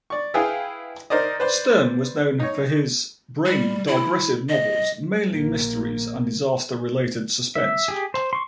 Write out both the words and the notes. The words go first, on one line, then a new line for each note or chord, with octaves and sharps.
Stern was known for his "brainy, digressive," novels, mainly mysteries and disaster-related suspense.
D5 C#6
E4 G#4 B4 F5 G5 D#6
D#4 A#4 C5 D5 D#5
B4 C5 D5
D#4 C#5
G3
E4
D#5
A#1 A#3
E5
G4 G#4
C5
C6 C#6